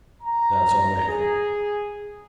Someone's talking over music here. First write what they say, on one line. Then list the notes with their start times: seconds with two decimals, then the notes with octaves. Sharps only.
That's our man.'
0.22 A#5
1.08 G#4